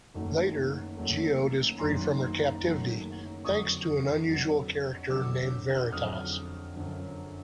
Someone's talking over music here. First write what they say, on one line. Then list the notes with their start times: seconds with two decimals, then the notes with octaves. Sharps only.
Later, Geode is free from her captivity, thanks to an unusual character named Veritas.
0.14 F#1 F#2 D#3 F#3 A3
0.97 F#1 F#2 D#3 F#3 A3
1.79 F#1 F#2 D#3 F#3 A3 A#5 C6
2.62 F#1 F#2 D#3 F#3 A3
3.45 F2 D3 F#3 C#6 D#6
4.27 F2 D3 F#3
5.10 F2 D3 F#3 D6 E6
5.92 F2 D3 F#3 D#6 F6
6.75 F#2 D3 F3